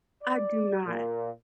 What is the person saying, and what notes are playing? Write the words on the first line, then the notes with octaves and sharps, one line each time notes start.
I do not.
D5
A#2